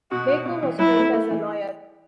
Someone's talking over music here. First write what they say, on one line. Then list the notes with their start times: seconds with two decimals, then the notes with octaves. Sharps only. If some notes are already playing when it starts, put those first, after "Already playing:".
Baker was trained as a lawyer.
0.11 B2 F#4
0.28 B2
0.46 B2
0.63 E3
0.79 F#3 E4
0.97 A3
1.14 A3
1.31 E3